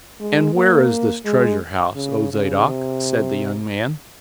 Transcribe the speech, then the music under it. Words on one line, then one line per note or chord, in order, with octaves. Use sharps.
"And where is this treasure-house, O Zadok?" said the young man.
G#3
A#3
G#3
C#3
C#3
C3